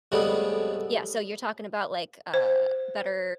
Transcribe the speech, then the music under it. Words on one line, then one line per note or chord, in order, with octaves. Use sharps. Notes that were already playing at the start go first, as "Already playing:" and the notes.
Yeah, so you’re talking about, like, uh, better,
F2 A2 G3 G#3 B3
C5